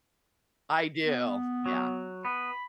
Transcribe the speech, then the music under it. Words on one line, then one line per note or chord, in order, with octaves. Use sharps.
I do. Yeah.
B3
F#3
B3 B5